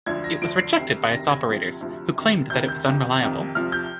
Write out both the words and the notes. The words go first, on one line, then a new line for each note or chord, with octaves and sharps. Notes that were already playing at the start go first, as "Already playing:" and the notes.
It was rejected by its operators, who claimed that it was unreliable.
D2 D3 F3 G#6
A#6
D2 D3 F3 D7
C7
D2 C3 D#3
D2 C3 D#3 A#6
G#6
D2 C3 F3
D2 C3 F3
D2 C3 D#3
D2 C3 D#3 G6
G6
F2 C3 D#3
F2 C3 D#3
C2 C3 F3 F6
G6